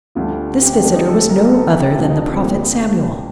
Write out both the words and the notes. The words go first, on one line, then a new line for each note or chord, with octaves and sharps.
This visitor was no other than the prophet Samuel.
D2 D3 G3 F4
G4
C4
D4
D#4
A4
A#4
A4
G4
D2 C3 F3 F4
D#4
D4
C4
A#3